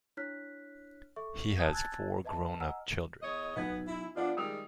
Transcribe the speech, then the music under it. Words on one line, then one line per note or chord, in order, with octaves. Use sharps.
He has four grown-up children.
D4 E4 C#5 F6 F#6 B6
A4 E5 C#6
A5 D#6 G6 G#6
G#5 A5 E6 F#6 G#6 A6
B4 D#5 E5 A5
D#5 F#5 G#5 A#5 E6 F6
E2 C#5 D#5
B1 B3 G#6
E4
F3 B3 D4 F4 D5 F#5
D#3 G3 G#3 D#6 E6 F7